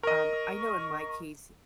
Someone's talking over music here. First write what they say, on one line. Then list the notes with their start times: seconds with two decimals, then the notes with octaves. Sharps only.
Um, I know in my case,
0.03 A#4 D#5 C#6